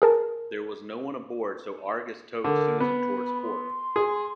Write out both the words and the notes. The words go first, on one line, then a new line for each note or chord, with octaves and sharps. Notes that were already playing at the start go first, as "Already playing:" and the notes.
There was no one aboard so "Argus" towed "Susan" towards Cork.
G#4 A#4 A5
D3 A#4
B3 B5
C6
G#4